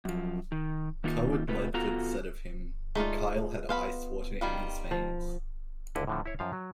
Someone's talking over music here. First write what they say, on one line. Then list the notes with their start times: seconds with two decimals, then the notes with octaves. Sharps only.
Cawood Ledford said of him, Kyle had ice water in his veins.
0.05 F#2 F3
0.52 D#3
1.04 D#3 A#3 D#4 F4
1.48 C3 A3 F4 B4
1.74 B2 B3 F4 F#4 A4 A#5
2.95 G#3 A3 D#4 F4 D5
3.69 B3 C5 F5 B5
4.41 D#3 G3 F4
4.91 F3
5.95 C#2 D3 E4 D#5 F#5
6.07 A2 D3 F3
6.26 E4 C#5
6.39 F#2 F3 F5
6.53 F#3